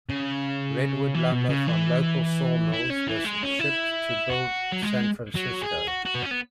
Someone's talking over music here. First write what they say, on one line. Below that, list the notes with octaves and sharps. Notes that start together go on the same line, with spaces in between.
Redwood lumber from local sawmills was shipped to build San Francisco.
C#3
E3
B2
C#3
E3
E4
C#4
E3
G#3
C#4
E4
F#4
F#3
G#3
F#3
G#4
F#4
F#4
B3
C#4
B3